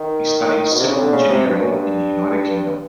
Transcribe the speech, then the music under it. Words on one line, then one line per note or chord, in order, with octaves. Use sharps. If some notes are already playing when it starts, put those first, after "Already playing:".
He studied civil engineering in the United Kingdom.
Already playing: D#3
B2
C3
C#3
D3
C#3
C3
G2
F#2
G2